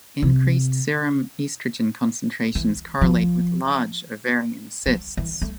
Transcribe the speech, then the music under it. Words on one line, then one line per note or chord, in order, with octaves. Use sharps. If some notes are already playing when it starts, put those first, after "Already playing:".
Increased serum estrogen concentrations correlate with large ovarian cysts.
C3
E3
F3
F3
E3
A3